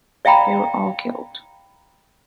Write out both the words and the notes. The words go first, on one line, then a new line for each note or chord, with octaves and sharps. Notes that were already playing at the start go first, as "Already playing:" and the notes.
They were all killed.
D5 E5 F5 G5 A#5 B5